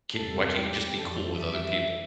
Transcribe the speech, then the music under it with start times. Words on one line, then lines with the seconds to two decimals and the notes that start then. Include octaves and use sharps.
Ca why can't you just be cool with other people?
0.15 E2 C3 G3 A4
0.56 G4
0.97 F2 E3 G3 A4
1.39 E5